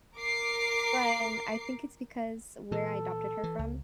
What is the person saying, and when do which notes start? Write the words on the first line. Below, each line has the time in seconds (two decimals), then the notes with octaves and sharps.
but I think it's because where I adopted her from,
0.16 A#4 D6 C7
2.72 A#2 E3 A4
3.43 E3
3.59 C#2